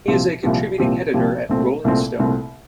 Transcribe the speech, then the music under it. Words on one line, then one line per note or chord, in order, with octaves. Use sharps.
He is a contributing editor at "Rolling Stone".
C2 A#2 F3 C4 G4
C2 A#2 F3 C4 G4
C2 A#2 F3 C4 G4
C2 A#2 F3 C4 G4
C2 A#2 A3 C4
C2 A#2 A3 C4
C2 A#2 A3 C4